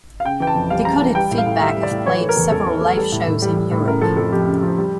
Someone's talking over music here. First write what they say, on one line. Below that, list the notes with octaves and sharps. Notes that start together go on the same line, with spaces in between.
Decoded Feedback have played several live shows in Europe.
F5
C#3 G5
E3 G5
A5
F2
G3 F5
C#3 A#5
A5
E3
G3 G5
A2
F5
A2
G3 E5
G3
D5
A2
E3 C#5
A3
A#4
E2
E2 A4
E3
A3
G3 A4
A2
A2
G3
G3
A2
C#3 A#4
F3 A4
F2 A4
F2 G4
C#3
F3
G3